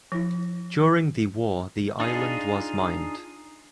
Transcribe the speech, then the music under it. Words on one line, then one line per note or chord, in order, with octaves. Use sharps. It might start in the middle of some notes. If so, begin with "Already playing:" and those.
During the war the island was mined.
F3 E4
D4 D#4 F4 G#4